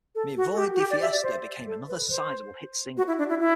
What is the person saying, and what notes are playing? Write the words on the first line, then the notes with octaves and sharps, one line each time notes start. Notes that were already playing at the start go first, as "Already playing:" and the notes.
"Me Voy De Fiesta" became another sizable hit single.
A4
F#4
A4
G4
F#4
G4
D5
E5
D5
C5
A4
B4
C5
F#4
E4
D4
E4
E4